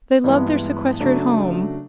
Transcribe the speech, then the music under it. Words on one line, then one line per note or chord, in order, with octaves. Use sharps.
They loved their sequestered home.
G2 E3 G#3 B3
C#3 F#3 A3 D4